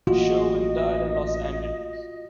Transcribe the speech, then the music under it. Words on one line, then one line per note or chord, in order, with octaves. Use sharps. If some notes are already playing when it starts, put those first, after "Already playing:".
Sherwin died in Los Angeles.
A1 A#3 F4 F#4 D#5